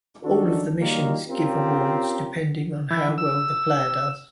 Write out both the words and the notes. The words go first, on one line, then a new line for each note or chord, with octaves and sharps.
All of the missions give awards depending on how well the player does.
D#3 C#4 D4 F#4 A4
D#3 F#3 G3 A#3 F4
C4 C#4 F4 G4 A#4
E3
E6